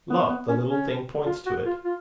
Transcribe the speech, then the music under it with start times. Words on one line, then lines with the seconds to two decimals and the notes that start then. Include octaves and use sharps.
"Look, the little thing points to it."
0.10 B3
0.29 B3
0.49 C#4
0.69 C#4
1.26 F4
1.46 F#4
1.66 F4
1.85 F4